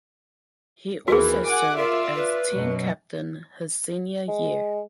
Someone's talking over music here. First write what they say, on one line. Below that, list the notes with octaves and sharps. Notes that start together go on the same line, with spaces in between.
He also served as team captain his senior year.
D#2 E3 F#4 G#4 A#4
F#5 G#5 D6
F4 A#4 D5 E5
B4
F#2 B2 F#3
G#3